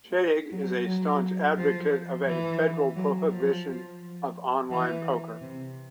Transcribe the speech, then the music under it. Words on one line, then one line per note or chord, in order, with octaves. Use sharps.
Shadegg is a staunch advocate of a federal prohibition of online poker.
F#3
F#3
F3
E3
F#3
F3
E3
C3